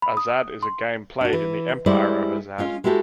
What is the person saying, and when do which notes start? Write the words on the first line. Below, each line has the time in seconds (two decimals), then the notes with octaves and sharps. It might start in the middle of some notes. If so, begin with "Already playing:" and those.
Azad is a game played in the Empire of Azad.
0.02 B5
0.17 D#6
0.63 C6
1.21 D4 F#4
1.33 E3
1.86 G3 G#3 E4 C5 D5
2.58 G#3 C#4 F4
2.84 G#3 E4 F#4 G4 A4